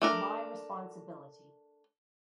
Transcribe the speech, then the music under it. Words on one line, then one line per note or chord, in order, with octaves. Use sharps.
My Responsibility!
A3 D4 A#4